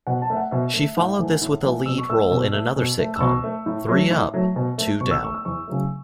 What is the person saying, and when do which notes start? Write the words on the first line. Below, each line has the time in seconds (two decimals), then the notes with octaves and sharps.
She followed this with a lead role in another sitcom, "Three Up, Two Down".
0.07 B2 F#5
0.22 A5
0.30 A3 E5
0.37 F#5
0.51 B2 E5
0.74 A3
0.97 A2 F#5
1.19 E3 A3
1.41 A2
1.64 E3 A3
1.86 B2 E6
1.98 C#6
2.09 A3 E6
2.31 B2
2.53 A3
2.76 B2
2.99 A3
3.16 E6
3.20 B2 C#6
3.44 A3
3.66 A2
3.89 F#3 A3
4.10 A2
4.34 F#3 A3
4.56 B2
4.78 A3
5.00 B2 C#6
5.11 E6
5.22 A3 C#6
5.35 E6
5.45 E2 C#6
5.68 C#3 F#3 A3